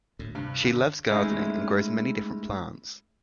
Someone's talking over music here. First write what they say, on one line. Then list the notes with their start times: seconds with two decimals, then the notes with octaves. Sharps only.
She loves gardening and grows many different plants.
0.19 D2 A2
0.35 G2 C3
0.64 D3
1.09 G#3 A3 C#4 D#4 E4